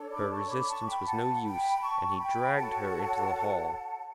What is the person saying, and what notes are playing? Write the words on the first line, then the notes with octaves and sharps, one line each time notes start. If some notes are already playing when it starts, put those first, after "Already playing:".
Her resistance was no use, and he dragged her into the hall.
Already playing: D4 A4 C#5
B5 D6
A5 C#6
B5 D6
A5 C#6
G5 B5
F#5 A5
G5 B5
A5 C#6
C#6
G5 B5
F#4 A4 C#5 F#5 A5